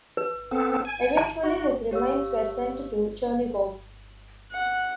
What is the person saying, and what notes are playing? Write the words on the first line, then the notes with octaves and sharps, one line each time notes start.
Eventually his remains were sent to Chernigov.
B4
B3 C4 A4
G#5
A#5
F#4
G4 C#5 F5 E6
F#5